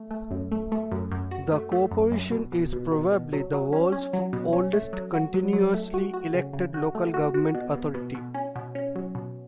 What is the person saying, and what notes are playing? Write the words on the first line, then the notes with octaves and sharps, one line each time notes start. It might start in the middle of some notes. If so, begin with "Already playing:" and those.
The Corporation is probably the world's oldest continuously-elected local government authority.
Already playing: A3
A3
F#2
A3
A3
F#2
F#2
F#4
A3
A3
F#2
F#2
B2
B2
B2
B2
B2
F#3
F#3
C#4
C#4
F#3
B2
C#4
A3
F#3
F#4
F#3
F#3
A3
F#4
F#4
C#3
C#3
F#4
A3
F#4
F#4
B2
B2
B2
B2
C#4
B2
C#4
F#3
B2